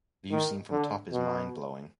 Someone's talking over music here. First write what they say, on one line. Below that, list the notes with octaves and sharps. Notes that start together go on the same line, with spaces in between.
View seen from the top is mind-blowing.
D#3
D3
B2